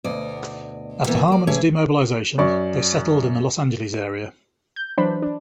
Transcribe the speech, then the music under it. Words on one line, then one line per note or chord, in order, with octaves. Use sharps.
After Harmon's demobilization, they settled in the Los Angeles area.
D2 B2 D5 D#5
A#2 E3 A#3 B3
A#3 D5
E3 A3 C#4 G#4 C#5 D5
F#2 F#3 D5 C#6
G6
E3 F#3 D4 C5 B5
D4